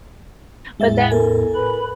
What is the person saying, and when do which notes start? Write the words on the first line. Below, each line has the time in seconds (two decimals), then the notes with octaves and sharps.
but then
0.80 E2 A2 G#3 E5 A6
1.10 A4 A#4 G#5
1.55 B4 B5